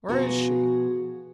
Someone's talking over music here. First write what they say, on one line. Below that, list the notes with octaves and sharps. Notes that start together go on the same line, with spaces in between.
"Where is she?"
B2 F3 F#4 G#4 A#4 A#5